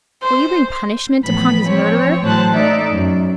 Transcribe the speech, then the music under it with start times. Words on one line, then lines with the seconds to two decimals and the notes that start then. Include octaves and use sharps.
Will you bring punishment upon his murderer?
0.23 C5
1.22 A2 E3 F3 B3 B5
1.63 F3 C4 C#5
2.22 A2 E3 F#3 C5 A5 F#6
2.53 A3 D#4 D5 E5
2.89 F#2